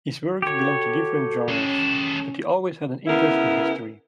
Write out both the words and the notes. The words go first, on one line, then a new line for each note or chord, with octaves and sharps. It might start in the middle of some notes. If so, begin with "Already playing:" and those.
His works belong to different genres but he always had an interest in history.
F#4 G4 A4 C#5
G#3 C#4 A4
C#3 B3 E4 A#4